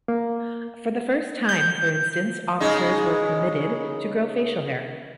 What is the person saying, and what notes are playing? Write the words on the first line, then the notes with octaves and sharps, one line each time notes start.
For the first time, for instance, officers were permitted to grow facial hair.
A#3
G6
C#3 G#3 D#4